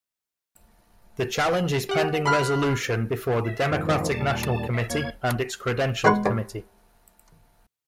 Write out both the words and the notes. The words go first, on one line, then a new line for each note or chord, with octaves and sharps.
The challenge is pending resolution before the Democratic National Committee and its Credentials Committee.
G4 F#5
B5 F6
E5
F2 G#2 D#3 F3
D#2 A#2 G3 A5
E5
E2 A#3 C#5 G#6
B2 G#3 B3 B4 C6 C#6
G2